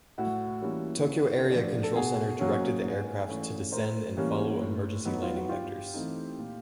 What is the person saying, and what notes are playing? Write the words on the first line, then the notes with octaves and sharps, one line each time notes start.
Tokyo Area Control Center directed the aircraft to descend and follow emergency landing vectors.
A2 E4 F#4
E3 G3 A#3 C#4
C#3
F3 A3 D4
A4
B2 F#4 G#4
F#3 A#3 C#4
G#2
E3 A3 C#4
A2 A#4 C5
E3 G3 A#3 C#4
A2
F#3 B3 D#4
F4
F#4
G2 F4 G4
E3 A3 C4 D#4
A#2